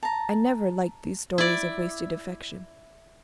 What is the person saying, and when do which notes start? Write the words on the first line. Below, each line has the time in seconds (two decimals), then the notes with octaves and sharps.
I never liked these stories of wasted affection.
0.03 A5 A#5
1.38 E4 D5